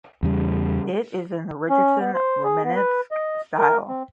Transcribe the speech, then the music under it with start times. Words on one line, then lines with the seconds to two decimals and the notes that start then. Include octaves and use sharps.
It is in the Richardson Romanesque style.
0.23 E2 C#3 G3
1.70 C#4
2.00 B3
2.14 C5
2.44 G#4
2.64 B3
2.75 B4
3.11 D#5
3.58 A#4
3.89 C4